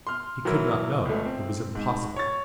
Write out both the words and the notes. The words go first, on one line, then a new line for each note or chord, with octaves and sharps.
He could not know. It was impossible.
C6 F6
E3 F#3 E4 A#4
C#2 A3
C4
G#2
C#5 C#6 A6